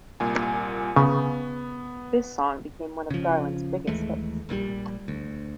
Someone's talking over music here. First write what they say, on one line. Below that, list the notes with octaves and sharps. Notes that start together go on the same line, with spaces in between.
This song became one of Garland's biggest hits.
C2 A#2 G#5
C#3 B3
C#3 F3
D#2 E3 G#3 A3
A#1 A#2 C#3 G3
D2